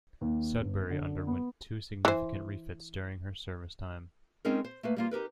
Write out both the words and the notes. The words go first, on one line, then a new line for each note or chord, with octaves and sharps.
"Sudbury" underwent two significant refits during her service time.
D#2
G1
D3
B3
E3 C5
G#3 C4 C#4 D#4 G#4 A#4
C5
A3 A#3 B4
G3 A#3 F4
D#4 G4 A#4 B4